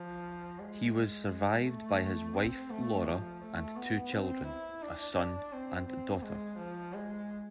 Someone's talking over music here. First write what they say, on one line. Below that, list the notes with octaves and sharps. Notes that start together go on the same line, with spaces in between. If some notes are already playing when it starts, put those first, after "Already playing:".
He was survived by his wife, Laura, and two children, a son and daughter.
Already playing: F3
G#3
A3
C4
A3
F3
A3
B3
C4
E4
D4
D4
C4
C4
G#3
F3
G#3